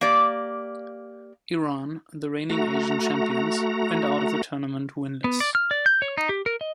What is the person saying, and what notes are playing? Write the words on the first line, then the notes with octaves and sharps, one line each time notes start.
Iran, the reigning Asian champions, went out of the tournament winless.
A#3 G4 D5
A3 F#4 A#5
B3
D5
F6
D5
G6
C#5
D#4
G4
A#4
D#5